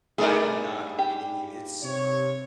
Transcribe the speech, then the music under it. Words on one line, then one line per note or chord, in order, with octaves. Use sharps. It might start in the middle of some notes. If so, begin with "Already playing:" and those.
I'm not kidding you, it's
G2 A3 D#4 G#4 A#4 D5
G4
C3 C#5